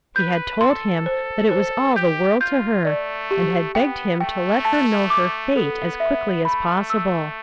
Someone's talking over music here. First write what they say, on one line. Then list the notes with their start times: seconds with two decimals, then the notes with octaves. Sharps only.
She had told him that it was all the world to her, and had begged him to let her know her fate as quickly as possible.
0.16 B4 G6
0.61 A4 C6
1.06 C5
1.51 C5
1.96 G4 G6
2.40 F4 G6
2.85 A3 D5
3.31 G4
3.75 B3 G5
4.20 A3 G5
4.65 A5
5.10 D6
5.56 B3 A4
6.00 E5
6.45 A3 B5
6.90 E6